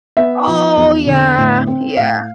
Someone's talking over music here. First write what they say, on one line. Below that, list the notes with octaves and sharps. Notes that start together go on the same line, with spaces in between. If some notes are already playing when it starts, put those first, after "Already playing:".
Oh yeah, yeah,
B3 E5
F3
E2
D3
A2
C4
A2 F5